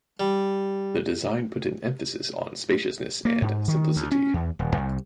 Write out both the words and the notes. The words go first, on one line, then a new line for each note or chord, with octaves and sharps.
The design put an emphasis on spaciousness and simplicity.
G3
A#3
G#2
D#3
D2
C#4
E2
D#1
C2